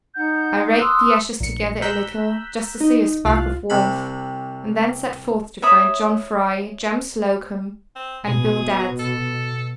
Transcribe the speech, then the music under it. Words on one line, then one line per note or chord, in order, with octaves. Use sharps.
I raked the ashes together a little, just to see a spark of warmth; and then set forth to find John Fry, Jem Slocombe, and Bill Dadds.
D#4 F#5 G6
C6 D#6 E6 F#6
A#1 C#7
A#5 E6 F#6 G6 B6
D#4
C2 F4 F#6
C2 C3 B5
C#5 E5 B5 D#6
C4
B2 G#4
A4